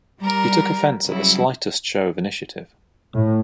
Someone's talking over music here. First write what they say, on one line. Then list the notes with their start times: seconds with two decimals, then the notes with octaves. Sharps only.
He took offence at the slightest show of initiative.
0.22 G3 A#4 A#5
1.10 C#3 F#3 G3 E4
3.14 A2